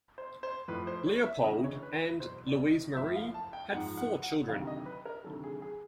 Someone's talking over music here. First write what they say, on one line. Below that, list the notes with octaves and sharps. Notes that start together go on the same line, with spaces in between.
Leopold and Louise-Marie had four children.
C5
C5
A2 F3 B4
C5
C#5
E5
D2 C#3 E3 D#5
C#5
B4
B4
E2 B2 F#3 C5
D5
D#5
A2 F3 E5
F5
A5
G5
G#2 F3 F#5
F#5
F#5
D2 C3 D#3 F#3 F5
D#5
B4
A#4
D2 C3 D#3 F#3 A4
G#4
G#4